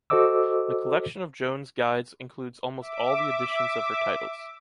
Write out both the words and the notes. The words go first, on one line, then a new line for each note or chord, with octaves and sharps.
The collection of Joanne's Guides includes almost all the editions of her titles.
F#4 A4 C5 D#5 D6 E6
E5 D6